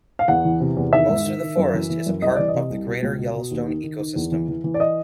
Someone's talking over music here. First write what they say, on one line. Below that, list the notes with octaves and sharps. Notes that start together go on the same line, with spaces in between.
Most of the forest is a part of the Greater Yellowstone Ecosystem.
F5
E2 F#5
E3
C3
E2
D#3 E5
G#2
D#3
D#3
F#2
E3
E3
F#2
C2 D#5
E3 D5
D#5
C3
C2
B2
C#2
B2
B2
D#2
D#3
D#3
D#3
E2
E3
E3
E3
D5
D#5